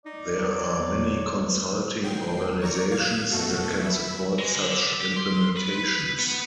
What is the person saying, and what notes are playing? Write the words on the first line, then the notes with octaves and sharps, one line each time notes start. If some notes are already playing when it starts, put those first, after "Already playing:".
There are many consulting organizations that can support such implementations.
D#4 D5
F#3
F#3 G5 C7
D5 A#5 C#6
F5 G#6
F#2 B2 A3 F#4 A4
E5 B5
G#3
D3
G4
C6
B4
B3